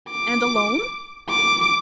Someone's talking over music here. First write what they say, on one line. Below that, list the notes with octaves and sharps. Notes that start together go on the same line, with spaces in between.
"And alone?"
D6
D6